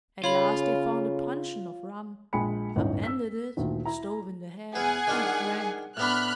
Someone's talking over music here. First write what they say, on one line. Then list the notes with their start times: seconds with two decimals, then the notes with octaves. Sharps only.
At last they found a puncheon of rum, upended it, stove in the head, and drank.
0.24 C#3 F4 C#5 B5 F#7
2.33 A#1 G#3 G5 G#5 B5 C#7
2.76 D1 G1 C#4 D#4
3.04 E6 B6
3.57 D2 A#2 D#3
3.85 E4 A#5
4.75 E2 G#4 B4 F#5 G#5
5.07 D#3 D4 F4
5.97 A2 B3 D4 B5 F6 F#6